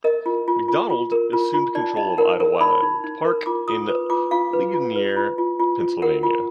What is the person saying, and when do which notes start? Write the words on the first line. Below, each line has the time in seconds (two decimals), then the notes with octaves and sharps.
Macdonald assumed control of Idlewild Park in Ligonier, Pennsylvania.
0.04 A#4 D#5
0.26 F4
0.48 F4
0.68 F4
0.90 F4
1.12 A#4
1.33 F4
1.54 F4
1.75 D#4 D5
1.97 D#4 D#5
2.18 A#4 F#5
2.40 A#4
2.61 D#4 B5
2.82 D#4
3.04 D#4
3.25 A#4
3.46 F4 D6
3.68 F4 D#6
3.89 B4
4.10 F4 D6
4.31 F4 F5
4.53 B4
4.74 F4
4.96 B4
5.17 F4
5.38 F4
5.60 F4
5.80 F4
6.02 A#4 F#5
6.23 F4